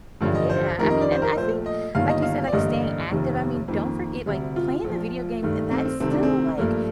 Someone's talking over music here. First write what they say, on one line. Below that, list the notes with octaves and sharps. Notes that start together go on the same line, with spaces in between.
Yeah. I mean, and I think, like you said, like, staying active, I mean, don't forget, like, playing the video game, that's still, like,
A1 G2 D3 F3
D#5
C5
F2 D#3 G3 A#4
D#5
D5
C5
A#4
A#1 A#2 A3 C5
D#5
G1 G2 D#3 A#3 F5
D#5
F5
D5
A1 G2 D3 G3 A#3 D#5
F1 D#2 D#3 G3 A#3
F2 D#3 A#3
D2 C3 G3
F4
A#1 A#2 F3
G2 D#3 A3
C4
C4
C2 C3 D#3 A3 C4
D4
C4
G2 F3 A3 A#3